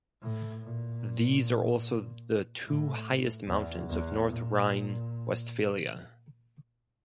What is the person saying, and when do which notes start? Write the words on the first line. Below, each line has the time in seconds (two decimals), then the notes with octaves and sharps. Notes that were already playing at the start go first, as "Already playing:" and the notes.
These are also the two highest mountains of North Rhine-Westphalia.
0.22 A2
0.62 A#2
2.66 A2
3.47 E2
3.89 E2
4.29 A#2